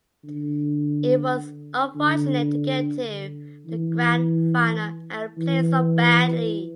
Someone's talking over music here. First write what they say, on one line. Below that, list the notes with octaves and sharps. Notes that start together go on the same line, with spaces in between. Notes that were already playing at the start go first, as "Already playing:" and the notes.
It was unfortunate to get to the Grand Final and play so badly.
D3
D3
E3
E3